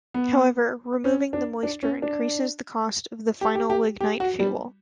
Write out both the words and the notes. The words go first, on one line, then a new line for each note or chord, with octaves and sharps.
However, removing the moisture increases the cost of the final lignite fuel.
B3
C#4
D4
D4
C#4
D4
G4
G4
G4
G4
F#4
G3